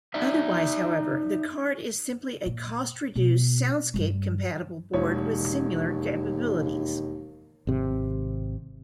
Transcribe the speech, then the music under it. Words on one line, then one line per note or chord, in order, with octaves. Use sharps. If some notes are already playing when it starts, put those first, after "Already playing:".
Otherwise, however, the card is simply a cost-reduced Soundscape-compatible board with similar capabilities.
D#4 D5 E5
A#2
B2
G2 G3
E1 D#2 C#5
G#1 C3